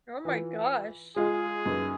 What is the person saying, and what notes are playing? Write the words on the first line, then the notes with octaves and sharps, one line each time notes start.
Oh my gosh.
E3 F4
G#3 F4 G#4
F#2 D#4 B4